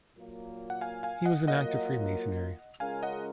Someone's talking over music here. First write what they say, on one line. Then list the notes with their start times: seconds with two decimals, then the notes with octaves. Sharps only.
He was an active Freemasonry.
0.15 A#2 F#3 A#3
0.70 F#5
0.81 F5 G#5
1.03 F5 G#5
1.25 D#5 F#5
1.47 F#3 A#3 F4 A#4 D#5 F#5
2.80 C#3 G#3 C#4 F4 A#4 F5 G#5
3.03 D#5 F#5